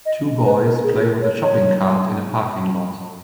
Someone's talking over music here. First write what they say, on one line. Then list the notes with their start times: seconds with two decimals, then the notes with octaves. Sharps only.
Two boys play with a shopping cart in a parking lot.
0.06 D#5
0.45 B4
0.65 A#4
0.83 G#4
1.02 A#4
1.22 C#5
1.42 C#5